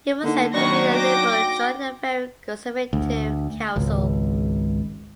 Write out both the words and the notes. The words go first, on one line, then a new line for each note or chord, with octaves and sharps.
He was said to be a liberal joining a very conservative council.
D3 A#3 D#4
B2 D#3 F#3 D4 C#6 A#6
F#4 G5 D6 A#6
D2
G#1 C#2